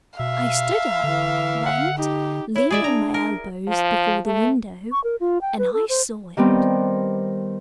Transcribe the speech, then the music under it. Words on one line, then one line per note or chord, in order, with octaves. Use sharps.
I stood up, went, leaned on my elbows before the window, and I saw it.
B2 E5 F5
D3 E3
F#5
D#4 G4
E4 C#5
G#3 G#4 D5 E5
D4 A#5
A#4
F3
A3
C#6
A#4
F4
G5
B4
A4
C5
D#3 G3 B3 C4